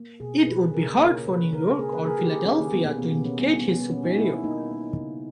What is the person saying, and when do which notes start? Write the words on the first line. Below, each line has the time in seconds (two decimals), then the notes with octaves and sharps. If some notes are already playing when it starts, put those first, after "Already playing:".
It would be hard for New York or Philadelphia to indicate his superior.
Already playing: A#3
0.20 B2 G#4
0.47 B2 B4
0.68 G#4
0.73 C#3 A#4
1.00 A#3 C#5
1.27 C#3 B4
1.53 C#3 A#4
1.79 A#3 G#4
1.92 B4
2.01 A#4
2.06 A#3 G#4
2.19 G4
2.32 A#3
2.46 C#4
2.58 D#3 A#3
2.72 B3
2.85 B2 A#3
2.98 B3
3.11 B2 B3
3.25 C#4
3.38 G3 B3
3.56 B3
3.65 A#3
3.74 B3
3.91 B2 C#4
4.04 D#4
4.17 A#3 E4
4.31 E4
4.44 A#3 D#4
4.71 A#3
4.96 C#3